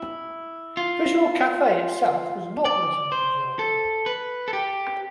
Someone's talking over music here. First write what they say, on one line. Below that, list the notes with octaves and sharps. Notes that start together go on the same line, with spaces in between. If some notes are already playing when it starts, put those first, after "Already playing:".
Visual Cafe itself was not written in Java.
Already playing: E4
F4
D5
C5
A4
B4
A4
G4